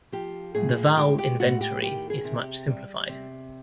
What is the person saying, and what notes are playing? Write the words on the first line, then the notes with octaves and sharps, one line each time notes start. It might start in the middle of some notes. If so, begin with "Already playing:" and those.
The vowel inventory is much simplified.
F3 G4
A2 G#4
G#3 G4
G4
A2 F#4
G4
D#3 G4
G#4
C3
G4
G3
C3